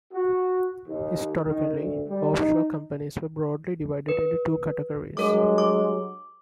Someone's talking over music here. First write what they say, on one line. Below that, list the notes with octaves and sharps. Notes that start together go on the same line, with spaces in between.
Historically, offshore companies were broadly divided into two categories.
F#4
D#2
D#3
D2
G3
D#4
B4
G2 F#3 G#3 A#4 D6
D6